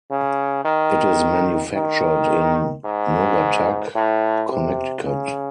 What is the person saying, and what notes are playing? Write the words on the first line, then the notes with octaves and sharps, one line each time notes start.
It is manufactured in Naugatuck, Connecticut.
C#3
D#3
D#3
G#2
A2
C3
C#3